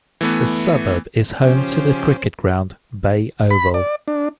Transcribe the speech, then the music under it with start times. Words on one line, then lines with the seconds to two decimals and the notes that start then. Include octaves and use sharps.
The suburb is home to the cricket ground Bay Oval.
0.21 E3 A3 B3
1.44 C#3 F3 C#4 G4 C5
3.51 B5
3.74 D5
4.08 D4